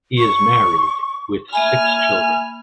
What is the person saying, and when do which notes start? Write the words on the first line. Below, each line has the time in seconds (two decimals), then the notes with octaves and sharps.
He is married with six children.
0.18 C#6
1.53 A#3 E5 G#5 B5 F6